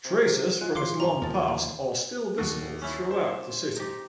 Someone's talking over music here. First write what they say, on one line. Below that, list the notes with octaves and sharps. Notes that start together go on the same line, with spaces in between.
Traces from its long past are still visible throughout the city.
C3
G#3 F4 F#6
E3 F5 C6 D6
G#1 G3 C#4 A#5
D#2 F3 A#4 A5
D#2 F#4
C#4 E4
C5
D#4 G4